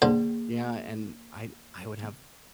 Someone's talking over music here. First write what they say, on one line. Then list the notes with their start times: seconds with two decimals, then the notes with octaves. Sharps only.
yeah, and I I would have
0.02 D3 A#3 G#4 C5